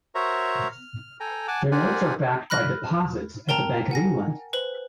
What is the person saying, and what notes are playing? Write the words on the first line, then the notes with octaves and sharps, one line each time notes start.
Their notes are backed by deposits at the Bank of England.
F#4 A#4 C5 C#5 E5 A#5
F6
A4 G5 G#5 A#5
F#5 G#5 A5 D6
G4 A#4 C5 D5 F#5 G#5
B5 F6 F#6 A#6
A#4 G5 A5 A#5
F#5 G#5 A#6
B4 C5 F#7